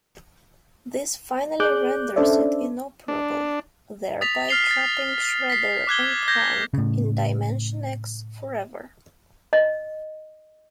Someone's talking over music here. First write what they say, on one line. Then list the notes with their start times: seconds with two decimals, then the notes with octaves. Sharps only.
This finally renders it inoperable, thereby trapping Shredder and Krang in Dimension X forever.
1.60 G#4 D5 D6 F#6 G6
2.16 C#4 D4 A4 C5 D5 E5
3.08 D4
4.21 D#6 A6 B6 F7
4.49 F6 A6 C7 F7 G7
4.71 A6
5.50 B6 C7
5.87 D6 F#6 G#6 G7
6.28 G6 G#6 A#6
6.74 A2 C#3
9.53 D#5